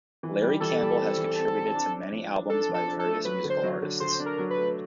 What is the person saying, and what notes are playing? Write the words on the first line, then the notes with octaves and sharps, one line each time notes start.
Larry Campbell has contributed to many albums by various musical artists.
E3
G3
E3 A4
G3
C4
E3
C4
C4
D4
D4
F3
D4
D4 A4
F3
A4
D4
A4
A3
F#3 B4
D3
C5
F#3
D3
D3 C5
D4
A#4
F#3
B4
A3